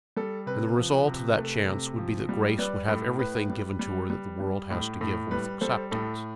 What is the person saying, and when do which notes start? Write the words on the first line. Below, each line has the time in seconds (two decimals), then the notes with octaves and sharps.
And the result of that chance would be that Grace would have everything given to her that the world has to give worth acceptance.
0.17 G3 A4
0.46 C3 B4
0.77 F3
1.07 C3
1.38 A3
1.68 C3
1.98 F3
2.29 G3
2.59 G3 B4 D5
2.88 A2 A4
3.19 A2 B4
3.50 G3
3.79 G3
4.10 G3
4.40 G3
4.70 A2
5.01 A2
5.31 G3 B4
5.61 G3 A4 C5
5.91 A2 A4